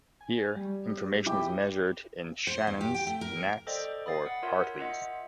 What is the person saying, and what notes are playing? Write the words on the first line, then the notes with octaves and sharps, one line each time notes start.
Here, information is measured in shannons, nats, or hartleys.
G#5
G3
E4 G4 G6
C5
E2
G4
G5
A3
A#4
A4 C5 D5 D#5 G5
B5 D#6 A6 C7
F#5
F4 A#4 C#5 E5
F4 D#5 E5 F#5